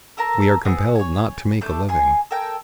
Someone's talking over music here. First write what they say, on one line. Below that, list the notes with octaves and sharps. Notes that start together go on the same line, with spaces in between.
We are compelled not to make a living.
A4 A#4 A5 A#5
B3 C4 G#4
C#5 G#5
A3 D4 A4 G6
G#4 G#5 C6
A4 A#4 G5 G#5